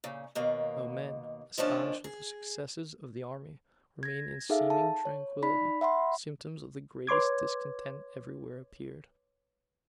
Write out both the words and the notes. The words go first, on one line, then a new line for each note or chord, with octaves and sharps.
Though men, astonished with the successes of the army, remained in seeming tranquillity, symptoms of the greatest discontent every where appeared.
A#2 C#3
D#2 B2 A#3
D#3 F3 A#3 C#4 D4
G#4
G#6 A#6
D#4 G#4 A4 E5 F5
A5
C#5
D#4 D5 B5 B6
E5 F#5 B5 C6
B4 C#5 C6 D6 G#6